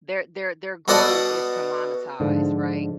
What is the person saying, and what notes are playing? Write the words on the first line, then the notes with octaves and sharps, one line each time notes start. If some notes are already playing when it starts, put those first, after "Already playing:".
their their their goal is to monetize, right?
B2 B3 A4 D5 F#5 D#6
G#2 D3 F3